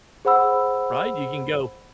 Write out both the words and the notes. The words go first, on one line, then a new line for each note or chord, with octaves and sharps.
Right? You can go
G#4 C5 F#5 B5 E6